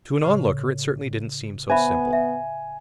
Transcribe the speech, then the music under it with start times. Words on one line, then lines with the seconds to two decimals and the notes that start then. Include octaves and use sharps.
To an onlooker it certainly didn't seem so simple.
0.24 A2 C#3
1.70 B3 C5 E5 G#5 B5
2.13 E5